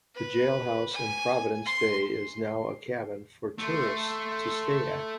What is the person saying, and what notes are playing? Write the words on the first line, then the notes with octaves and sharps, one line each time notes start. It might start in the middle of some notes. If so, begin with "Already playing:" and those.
The jailhouse in Providence Bay is now a cabin for tourists to stay at.
B4
G#5
C6
A3 C6